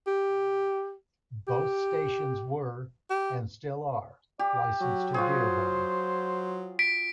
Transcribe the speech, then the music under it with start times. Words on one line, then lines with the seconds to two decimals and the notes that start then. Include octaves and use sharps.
Both stations were, and still are, licensed to Dearborn.
0.07 G4
1.48 G4
3.10 G4
4.39 G4 D5
4.81 F#3 F#4
5.14 F4 F#4 G#4 C5
6.79 B6 D7